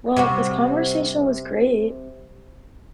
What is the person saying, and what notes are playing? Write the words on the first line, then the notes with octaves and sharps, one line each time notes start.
Well, this conversation was great.
C3 G3 F#4